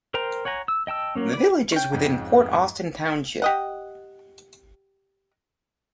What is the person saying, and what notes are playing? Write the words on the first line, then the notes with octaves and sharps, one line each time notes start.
The village is within Port Austin Township.
A#4 C5 G5 A#5
C#5 F#5 G#5 A#5
E6
D#5 G5 A5 E6
F#3 A#3 C#4
B4 D5
C#4 G5
F2 G#2
G4 D#5 F#5